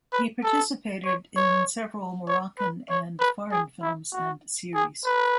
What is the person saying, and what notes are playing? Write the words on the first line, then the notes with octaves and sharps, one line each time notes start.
He participated in several Moroccan and foreign films and series.
B4
A4
C#5
C#5
C#5
B4
C#5
B4
G#4
E4
F#4
G#4
B4